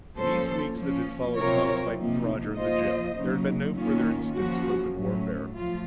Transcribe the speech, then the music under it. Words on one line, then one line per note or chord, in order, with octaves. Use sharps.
In these weeks that had followed Tom's fight with Roger in the gym, there had been no further incidents of open warfare.
F3 A#3 C#4 A4 C5
F3 A#3 C#4
C3 F#3 C4 F4 A#4 C#5
C3 F3 A#3 D#4
C3 F3 A#3 F4 C5 D#5
C#3 F#3 A#3 D#4
D#3 A#3 C#4 F4
C#3 F3 A#3 C#4 F#4
A2 F#3 A3 C#4
F3 A3 F4